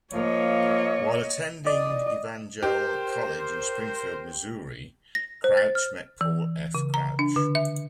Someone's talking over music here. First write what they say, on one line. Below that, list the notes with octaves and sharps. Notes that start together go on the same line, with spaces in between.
While attending Evangel College in Springfield, Missouri, Crouch met Paul F. Crouch.
F3 A#3 C#5 D#5
D5 D#5
G4 A#4 C5
A#6
C5
A6
F6
E3
C#3
A#5
D4
D3
E5